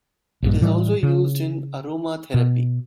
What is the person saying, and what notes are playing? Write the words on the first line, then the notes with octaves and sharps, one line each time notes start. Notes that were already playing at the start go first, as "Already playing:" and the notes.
It is also used in aromatherapy.
A#1 G2
A2 E3 G3
C#3
B2